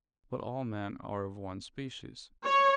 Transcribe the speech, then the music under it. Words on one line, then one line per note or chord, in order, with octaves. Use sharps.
But all men are of one species.
C#5